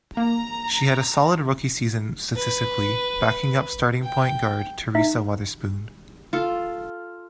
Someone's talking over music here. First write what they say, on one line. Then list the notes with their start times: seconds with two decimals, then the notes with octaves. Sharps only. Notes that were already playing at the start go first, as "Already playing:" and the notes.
She had a solid rookie season statistically, backing up starting point guard Teresa Weatherspoon.
0.17 A#3 A#5
2.36 B4
4.03 G5
4.95 D#4 E5
6.33 F4 A4